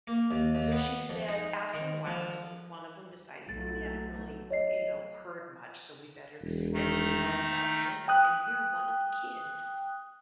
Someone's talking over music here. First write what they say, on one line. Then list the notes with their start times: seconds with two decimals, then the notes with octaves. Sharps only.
so, she said after a while though, one of ‘em decided, you know, we haven't really, you know, heard much, so, we better at least glance out the window, and here one of the kids
0.07 A#3
0.31 D#2
0.55 D#2
0.72 B3
1.10 F2
1.29 D#4
1.74 D#3
2.07 F3
3.49 B1 F#3 A3 A6
4.51 C#5 D#5 C7
6.41 E1
6.74 D#3 A3 D#4
8.08 G5 D#6 F#6